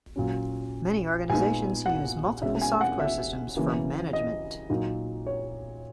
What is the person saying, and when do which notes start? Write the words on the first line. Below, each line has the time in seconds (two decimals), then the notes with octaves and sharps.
Many organizations use multiple software systems for management.
0.16 A#2 F#3 C#4
1.29 A#2 G#3 B3 D#4 G#5
1.86 F#5
2.43 B2 G#3 C#4 E5
2.62 G#5
2.81 F#5
3.00 E5
3.56 C#3 E3 A#3 C#4
4.13 D#5
4.70 A#2 F#3 A#3 D#4
5.26 C#5